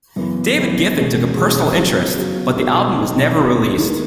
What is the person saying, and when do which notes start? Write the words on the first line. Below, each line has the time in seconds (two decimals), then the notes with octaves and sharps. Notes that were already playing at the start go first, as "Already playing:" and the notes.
David Geffen took a personal interest, but the album was never released.
0.16 F#2 C#3 E3 B3
0.57 F#2 C#3 E3 B3
0.96 E2 B2 G#3 C#4
1.37 E2 B2 G#3 C#4
1.76 C#3 F#3 B3 F#4
2.16 C#3 F#3 B3 F#4
2.56 B2 F#3 B3 D#4
2.97 B2 F#3 B3 D#4
3.37 D#2 D#3 G#3 B3 E4
3.77 D#2 D#3 G#3 B3 E4